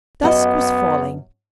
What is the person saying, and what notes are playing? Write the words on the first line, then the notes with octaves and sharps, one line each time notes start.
Dusk was falling.
F#2 B3 F#4 D#5